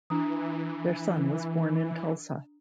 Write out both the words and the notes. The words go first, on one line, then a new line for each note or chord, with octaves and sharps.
Their son was born in Tulsa.
E3 D4 A#5 D#6